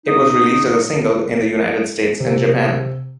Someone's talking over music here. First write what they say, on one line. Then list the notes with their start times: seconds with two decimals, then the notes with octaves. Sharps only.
It was released as a single in the United States and Japan.
0.06 D#4 D#5
2.20 C3